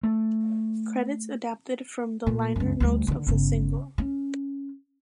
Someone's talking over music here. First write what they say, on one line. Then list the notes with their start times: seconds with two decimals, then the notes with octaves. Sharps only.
Credits adapted from the liner notes of the single.
0.03 A3
2.26 A#2
2.56 C#2 F#2
2.80 D2 G3
3.08 D3 D#3
3.27 G1 C#3
3.98 C#4